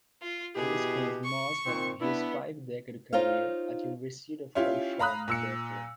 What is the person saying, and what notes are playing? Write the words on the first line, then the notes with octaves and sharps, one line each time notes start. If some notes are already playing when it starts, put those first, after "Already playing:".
He spent most of his five-decade career at the University of California, Berkeley.
F4
B2 E4 G4 G#4
C#6
A#2 D#3 C4
B3 D4 E4
D#4 F4 C5 C#5 F5
C#4 E4 F4 G4
F5 A#5 B5 D#6 F#6
A#2 E6 C#7